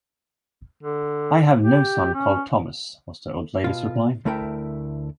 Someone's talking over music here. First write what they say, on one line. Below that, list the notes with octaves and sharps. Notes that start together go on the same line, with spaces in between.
'I have no son called Thomas' was the old lady's reply.
D3
G4
C#4
B2 F4
D2 A3 E4 A#4 G5